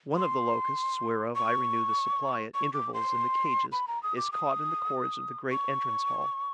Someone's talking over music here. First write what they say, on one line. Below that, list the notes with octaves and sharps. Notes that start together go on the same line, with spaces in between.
One of the Locusts whereof I renew the supply at intervals in the cages is caught in the cords of the great entrance-hall.
C6
C#6
C#6
D6
C6
B5
A#5
D#6
D6
D#6
C#6